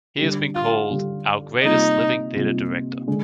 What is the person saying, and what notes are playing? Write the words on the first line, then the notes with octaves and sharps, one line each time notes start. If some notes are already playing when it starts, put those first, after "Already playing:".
He has been called "our greatest living theatre director".
D3 G3 D4 G4
F4
D3 G3 D4 G4
C3 G3 A#3 D#4 F4
C3 G3 A#3 F4
D3 G#3